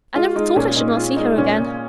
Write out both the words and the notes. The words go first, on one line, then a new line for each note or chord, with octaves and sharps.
I never thought I should not see her again.'
G#3 F4
G#3 D#4
A#2 C#4
A#2 D#4
G#3 F4
G#3 D#4
A#2 C#4
A#2